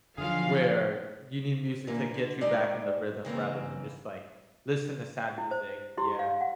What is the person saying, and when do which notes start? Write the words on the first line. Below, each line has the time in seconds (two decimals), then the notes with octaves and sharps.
where you need music to get you back in the rhythm rather than just, like, listen to sad music. Yeah.
0.18 D3 D#3 F3 F#3 F4 G#4 F5
1.87 A#2 D3 E3 A#3
2.14 D3
2.41 G#3 D#4 A4 D5 D#5
3.25 C#3 E3 A#3 C4
5.38 E4
5.51 C5
5.98 E4 G4 C6
6.19 F5
6.41 F#5